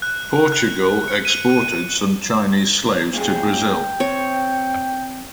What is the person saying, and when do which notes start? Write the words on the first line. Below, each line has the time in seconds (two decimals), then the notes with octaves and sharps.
Portugal exported some Chinese slaves to Brazil.
0.02 F#6
0.52 F#6
1.08 C#7
1.25 D#7
3.14 A#2 G#3 G#4 G5
4.00 C4 C#5